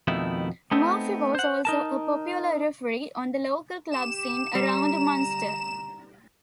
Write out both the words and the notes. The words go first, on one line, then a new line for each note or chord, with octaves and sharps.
Murphy was also a popular referee on the local club scene around Munster.
F2 B2 D#3 A3 E4
A3 B3 C4 D#4
C5 F#5
D#4 A#4 A5
G4 E7
G3 A#5